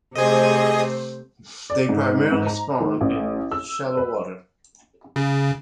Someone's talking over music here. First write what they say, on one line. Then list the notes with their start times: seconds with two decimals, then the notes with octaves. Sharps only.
They primarily spawn in shallow water.
0.15 C3 A3 G#4 C5 D#5
1.70 D5
1.89 G#2
2.32 G#2
2.47 A#5
2.80 D#3
3.01 A1
3.51 E6
3.97 B4
5.16 C#3